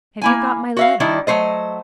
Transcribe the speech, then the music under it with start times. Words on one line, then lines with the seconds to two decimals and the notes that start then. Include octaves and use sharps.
Have you got my letter?
0.22 A#3 E4 G#5
0.77 F#4 E5 F5
1.00 D#3 G3 D4 E4
1.27 F#3 A3 C5 D#5